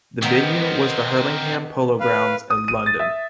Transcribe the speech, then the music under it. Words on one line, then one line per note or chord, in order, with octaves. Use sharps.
The venue was the Hurlingham Polo Grounds in London.
D#3 B3 C4 A#4
B4 F5
D#6
D#7
A6
E5